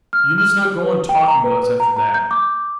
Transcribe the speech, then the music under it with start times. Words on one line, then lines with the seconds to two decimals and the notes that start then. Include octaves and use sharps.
You must not go on talking to us after that.
0.13 F6
0.38 F6
0.65 G4
0.84 B4
1.09 G5
1.28 A#5
1.44 B4
1.63 B4
1.80 A#5
1.97 A#5
2.14 G6
2.31 D6